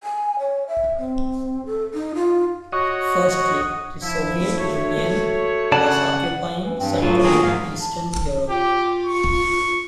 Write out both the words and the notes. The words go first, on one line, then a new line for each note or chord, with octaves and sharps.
Firstly, the Soviet Union was occupying Central and Eastern Europe.
G#5
C#5
E5
C4
A4
D#4
F4
F#4 C#5 D#5
F3 E4
A3 F#4 C#5
C#3 D5 F#5 A5
E3
G2 C4
E3
A2 F#3 F4
D3 D#3 A#3 F#4 G#4
D2 G#2 F5
A5
F4 G4
C#6